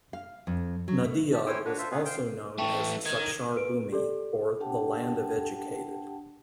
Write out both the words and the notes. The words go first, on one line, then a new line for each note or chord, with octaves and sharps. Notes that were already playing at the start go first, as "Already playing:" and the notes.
Nadiad was also known as 'Sakshar Bhumi', or The land of educated.
F5
F2
F#3
A3
G4 A5
C#4 E4 C5 C#5 G5 G#5
D4 F#4 B4 C#5
F4 A4 C5 E5
A3 B3 C#4 G#4 B4
C5 F5 G5 C6
E3 A3 G5 A5 C#6
D#3 G#6
B4 D7
G4 A4 D5
D4 G4 F#5 G5 A5